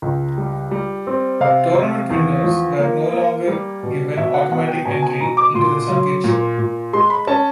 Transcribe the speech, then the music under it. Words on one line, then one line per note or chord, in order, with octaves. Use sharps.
Tournament winners were no longer given automatic entry into the championship.
C#2
G3
G3
C4
C3 F5
C3
E2
F3
A#3
A#3
G3
B2
B2 E5
F#5
B3 F#5
G5
B2 G#5
G#5
B2 A#5
D6
A#2 C6
F#3
A#2
A#2
G#3 C6
B5
C#4 A5